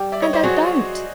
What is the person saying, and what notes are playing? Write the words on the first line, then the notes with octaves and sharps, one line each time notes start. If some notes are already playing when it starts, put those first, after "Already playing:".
And I don't.
Already playing: G3
D5 E5
C#5 D#5
C5 D5
F#3 F#4 G#4